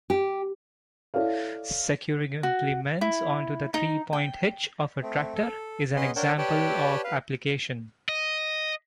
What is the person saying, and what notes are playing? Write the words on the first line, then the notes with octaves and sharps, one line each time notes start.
Securing implements onto the three-point hitch of a tractor is an example of application.
G4
E4 A4 C#5 D5 F5
F#4
E4
D#4
G5
A3 C4
A4
C#4 G#4 B4 D#5 F#5 C6
D4 A#4 C#5 F#5 G5 A5
G4 B4 C#5 D5 G5 A5
B4 F5
D#5